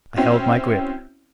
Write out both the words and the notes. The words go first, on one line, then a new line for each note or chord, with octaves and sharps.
I held my grip.
C4 C#4 E4 F#4